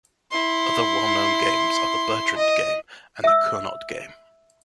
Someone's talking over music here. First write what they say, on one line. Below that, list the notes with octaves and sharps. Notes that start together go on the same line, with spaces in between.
Other well-known games are the Bertrand game and the Cournot game.
E4 C6
D#5
E5 E6